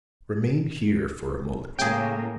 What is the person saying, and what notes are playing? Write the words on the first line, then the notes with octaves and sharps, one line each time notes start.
"Remain here for a moment."
A2 C#3 A#3 G#4 G5